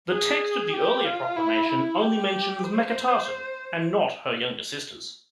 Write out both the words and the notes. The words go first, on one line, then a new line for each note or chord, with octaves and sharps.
The text of the Earlier Proclamation only mentions Meketaten and not her younger sisters.
G#4
G4
F4
E4
E4
G4
C5